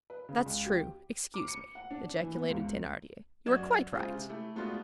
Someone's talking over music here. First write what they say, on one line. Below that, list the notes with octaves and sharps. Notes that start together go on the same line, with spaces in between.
"That's true, excuse me!" ejaculated Thenardier, "you are quite right."
B4
C#3
C#2
G4
D6
C#7
F#5
D4
E3
B3
C#2
F#2 F#4 D5 G#6 E7
C#3 G#3 F4 C5
C3
A3 E4 G4
G#3 A3 B3 D4 F4 F#4